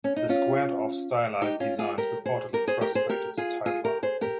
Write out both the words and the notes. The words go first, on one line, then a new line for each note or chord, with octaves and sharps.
The squared-off stylized designs reportedly frustrated Tytla.
C#4
D#4
C#4 F4
D#4 G4
C#4 F4
F4 G#4
G4 A#4
G#4 C5
G4 A#4
G#4 C5
G4 A#4
G#4 C5
G4 A#4
F4 G#4
F4 G#4
G4 A#4
G#4 C5
G4 A#4